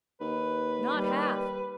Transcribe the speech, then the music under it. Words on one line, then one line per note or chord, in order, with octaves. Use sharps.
Not half.
D#2 B4
G3